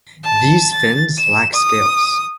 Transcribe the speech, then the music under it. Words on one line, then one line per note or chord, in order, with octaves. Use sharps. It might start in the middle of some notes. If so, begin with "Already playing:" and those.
These fins lack scales.
A5
A6
E7
D#6